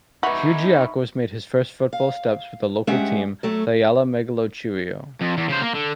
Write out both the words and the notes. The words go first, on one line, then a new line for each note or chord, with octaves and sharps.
Kyrgiakos made his first football steps with a local team, Thyella Megalochoriou.
B3 D#4 F#4 C#5 E5 B5 C#6
F5
G2 G#3 C#4 G4 E5 F#5
F#3 A3
F2
E2
C#3 C5
A#3
D3